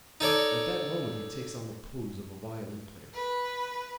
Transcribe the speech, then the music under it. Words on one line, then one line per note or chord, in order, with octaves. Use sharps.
At that moment he takes on the pose of a violin player.
D#4 A4 C#5 D5
B4